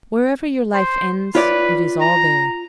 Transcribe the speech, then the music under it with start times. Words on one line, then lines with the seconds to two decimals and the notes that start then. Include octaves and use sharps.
Wherever your life ends, it is all there.
0.74 C5
1.35 F4 B4 C#5 D5
2.01 A#5